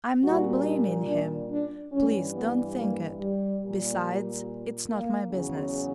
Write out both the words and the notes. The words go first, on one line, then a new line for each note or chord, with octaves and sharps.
I am not blaming him, please don't think it; besides, it's not my business.
A#2 G3 F#4
D4
D4
D4
G2 E3 G3 C#4
B3
A#3
G3
A#2 G3
A#3
E2 C#3 F#3